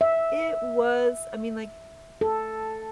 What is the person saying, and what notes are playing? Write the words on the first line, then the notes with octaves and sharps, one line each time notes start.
I It was. I mean, like,
E5
A4